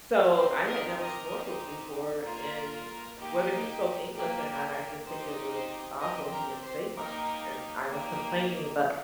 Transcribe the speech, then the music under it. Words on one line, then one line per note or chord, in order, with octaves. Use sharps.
So, I had never snorkeled before, and whether he spoke English or not, I just think it was awful, he didn't say much, and I was complaining, but
C4 D#4 G4 C5
A#4 D#5
A#4 D#5
C4 D#4 G4
A#3 F4 A#4
A#3 D#4 G4
A#3 G4
C4 D#4 G4 C5
C5
C4 G4 A#4 D#5
A#4
C5
A#3 D#4 G4 A#4
A#3 D#4 G4